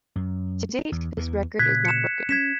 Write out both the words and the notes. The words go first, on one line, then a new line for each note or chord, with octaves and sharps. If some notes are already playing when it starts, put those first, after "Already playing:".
To date, this record is not broken.
F#2
E2
E2 E3
A#2 C#3 F#6 G#6 B6
C#7 E7
C#4 G#6 B6 E7